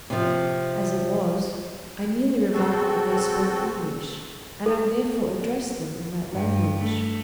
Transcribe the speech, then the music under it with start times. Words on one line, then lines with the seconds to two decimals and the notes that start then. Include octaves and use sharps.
As it was, I merely remarked that they spoke English, and I therefore addressed them in that language.
0.10 C3 F3
2.54 B2 G#3 C4 F#4 A4
4.66 A4
6.32 G2
6.78 A3